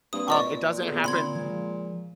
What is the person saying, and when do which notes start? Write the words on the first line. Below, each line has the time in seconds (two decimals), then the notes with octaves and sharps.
um, it doesn't happen
0.13 G2 A#3 C4 B4 D#6
0.28 A#2 D5 D#5 C#6
0.81 B3 G#4 A4
1.04 D3 C4 F#5 B5 C6 G#6
1.35 F3 G#3